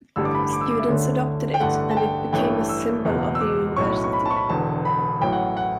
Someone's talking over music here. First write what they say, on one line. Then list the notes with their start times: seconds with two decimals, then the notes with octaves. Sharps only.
Students adopted it, and it became a symbol of the university.
0.16 A1 G2 D3 G3 E6
0.25 D6
0.35 B5
0.53 D6
0.61 E6
0.71 D6
0.80 E5
0.88 D2 D3 A3 C#4
1.54 G5
1.60 A1 G2 D3 A3 F#5
1.91 A5
1.97 G5
2.33 A1 G2 E3 A3 C#4 G5
2.69 E6
3.05 F#1 E2 B2
3.35 E6
3.41 D6
3.76 B1 A2 F#3 C#4 C#6
4.04 C#6
4.13 B5
4.26 A5
4.31 C#6
4.36 B5
4.49 E1 E2 D3 A5
4.85 B5
5.21 A1 A2 F#3 G5
5.33 F#5
5.57 F#5